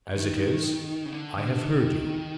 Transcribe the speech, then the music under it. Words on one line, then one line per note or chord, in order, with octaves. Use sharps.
As it is, I have heard you.
D#3
C#3
D3
D3
D#3